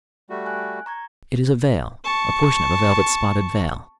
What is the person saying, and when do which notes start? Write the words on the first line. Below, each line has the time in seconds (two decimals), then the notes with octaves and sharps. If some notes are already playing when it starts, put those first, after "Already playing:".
"It is a veil--a portion of a velvet-spotted veil."
0.30 G3 A3 F#4
0.46 G#5 F#6
0.86 A#5 C#6 G#6
2.04 A5 C#6